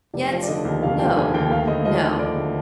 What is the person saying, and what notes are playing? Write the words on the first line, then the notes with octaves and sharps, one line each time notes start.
Yet, no! No.
F1 D5
F3
D5
D3 D#5
D#2
F1 F5
F3 G5
D3 G#5
D#2 G5
D2 F5
D2 D#5
F3 D#5
D3 D#5
D2 D5
D2